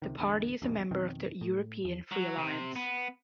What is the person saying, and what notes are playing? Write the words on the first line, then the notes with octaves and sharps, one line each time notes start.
The party is a member of the European Free Alliance.
C#2 C3 D#3
A#1 E2 D3
A#1 E2 G2 B2
F2 B2 D#3 C4
A2
E2
F#3
C3
B3